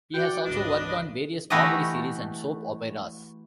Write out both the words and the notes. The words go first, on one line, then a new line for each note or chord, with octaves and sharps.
He has also worked on various comedy series and soap operas.
F#4 D5 F#5 G5
G#1 C#2 D4 B4 D#5
E3 A3 E4 F#4 G4 D#5